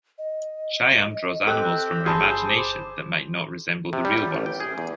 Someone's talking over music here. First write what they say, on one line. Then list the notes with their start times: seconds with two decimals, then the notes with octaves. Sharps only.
Shyam draws animals from her imagination that might not resemble the real ones.
0.18 D#5
1.47 C4 G4 A4 F#6
2.06 G1 G#4 A5 B5 C6 G6
2.48 C5 D6
3.93 C3
4.05 G3
4.18 G3
4.34 A1
4.46 G5
4.60 G#4
4.78 E2